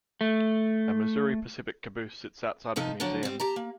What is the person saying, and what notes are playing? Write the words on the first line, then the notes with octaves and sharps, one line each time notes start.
A Missouri-Pacific caboose sits outside of the museum.
A3
C3 F3 D#4 A4
D3 F3 F#3 D4
G3 C4
G4 A5 A#5
A#3